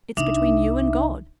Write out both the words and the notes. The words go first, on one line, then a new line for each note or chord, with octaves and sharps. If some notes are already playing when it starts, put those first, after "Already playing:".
It's between you and God.
C2 D4 D#4 E5